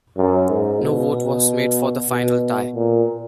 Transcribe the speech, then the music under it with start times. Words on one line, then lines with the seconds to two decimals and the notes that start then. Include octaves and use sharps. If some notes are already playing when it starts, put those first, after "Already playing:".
No vote was made for the final tie.
0.17 F#2
0.50 G#2
0.82 B2
1.13 B2
2.10 B2
2.75 A#2